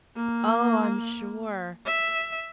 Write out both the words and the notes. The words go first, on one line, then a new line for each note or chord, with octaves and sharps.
Oh, I'm sure.
A#3
E5